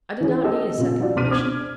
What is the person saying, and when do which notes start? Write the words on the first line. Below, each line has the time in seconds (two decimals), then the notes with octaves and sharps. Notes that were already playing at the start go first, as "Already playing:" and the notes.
I did not need a second permission.
0.20 E3 C#4 G#4
0.44 G4 A4 D#5 E6
0.78 A#2 C#3
0.99 F3 G3 D#4 F4 F#4 D5
1.16 C#2 B2 C6 F6 B6 D#7
1.30 C4 D4 D6 G#6